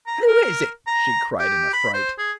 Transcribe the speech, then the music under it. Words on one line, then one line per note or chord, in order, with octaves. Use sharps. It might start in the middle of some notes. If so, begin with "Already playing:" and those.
"Who is it?" she cried in affright.
A#5
A#4
A#5
G4
B5
C5
G#4